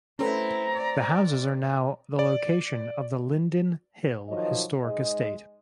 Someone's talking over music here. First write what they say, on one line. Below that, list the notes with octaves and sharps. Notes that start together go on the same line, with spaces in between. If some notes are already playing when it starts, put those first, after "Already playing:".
The houses are now the location of the Linden Hill Historic Estate.
A3 C4 C#4 E4 A4 B4 A#5
D5
D5
D#3 F3 F#3 C#5 D#5
G#2 G#3 G#4 D#5